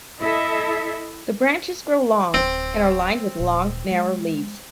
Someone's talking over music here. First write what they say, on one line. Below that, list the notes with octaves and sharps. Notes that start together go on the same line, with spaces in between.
The branches grow long and are lined with long, narrow leaves.
E4 A4 D#5 E5
D1 C4
D1 A#2
G#3